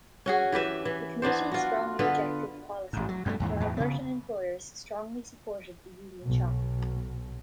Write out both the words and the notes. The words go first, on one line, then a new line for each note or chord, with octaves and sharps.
The committee strongly rejected the policy after Albertan employers strongly supported the union shop.
C#4 F#4 G#4
E3 G4 B4 E5
E3
E3 B3 D4 C5
F4 F#4
D3 B3 F4 B4
A1 G#2
F#3
G2 B2 G#3 A3
D#2 G#2 E3
E2 A2
C#3 B3
B1 B2